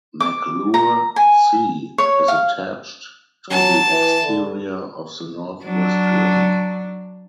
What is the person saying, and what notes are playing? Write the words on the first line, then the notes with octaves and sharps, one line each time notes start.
McClure C is attached to the exterior of the northwest rim.
D6
A#5
G#5
C#5
F5
F#3 A5
E3
D3
F#3 D4